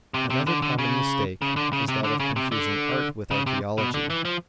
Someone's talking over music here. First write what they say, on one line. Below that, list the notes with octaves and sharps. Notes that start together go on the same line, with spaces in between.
Another common mistake is that of confusing art with archaeology.
C3
C3
D3
D3
C#3
C#3
D3
C#3
C3
D3
C#3
C3
D3
C#3
C3
B2
D3
E3
F3